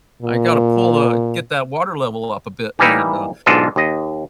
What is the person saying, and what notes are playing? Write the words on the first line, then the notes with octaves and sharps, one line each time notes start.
I got to pull, uh get that water level up a bit, and, uh,
A#2
E3 G3 A#3 D#4 E4
B1 G#2 D4 F4 A4 D#5
D#2 D#5